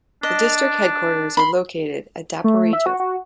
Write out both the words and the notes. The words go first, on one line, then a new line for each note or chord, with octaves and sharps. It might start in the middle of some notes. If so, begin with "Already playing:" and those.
The district headquarters are located at Daporijo.
D4 D#5
B5 C6
A3
E5
F#4
F#4